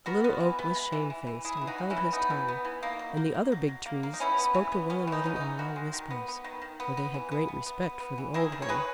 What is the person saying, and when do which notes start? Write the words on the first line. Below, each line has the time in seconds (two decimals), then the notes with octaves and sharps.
The Little Oak was shamefaced, and held his tongue; and the other big Trees spoke to one another in low whispers, for they had great respect for the old one.
0.06 B3 F#4 A#4
0.24 B3
0.40 E3
0.59 B3
0.75 G#3
0.92 E3
1.10 E3
1.27 E3
1.44 E3 E4 G#4
1.57 E3 E4
1.67 D#4 F#4
1.78 E3
1.90 C#4 E4
1.97 E3
2.13 B3 D#4
2.30 E3
2.48 B3
2.65 E3
2.83 A#3 D#4
2.99 F#3
3.17 A#3
3.35 A#3
3.52 F#3
3.68 F#3
3.86 A#3
4.03 A#3
4.14 D#4
4.20 B3 C#4 E4
4.38 B3
4.55 E3
4.72 B3
4.90 B3 C#4
5.07 E3 D#4
5.24 B3 C#4
5.36 E3 D#4
5.58 D#3 F#4 A#4
5.76 G#3
5.93 D#3
6.11 B3
6.28 B3
6.44 D#3
6.62 D#3
6.80 B3
6.97 B3
7.14 E3
7.32 B3
7.48 B3
7.66 B3
7.83 B3
8.00 B3
8.18 E3
8.34 D#3 E4 G#4
8.52 D#3
8.62 C#5
8.69 D#3 G#4 B4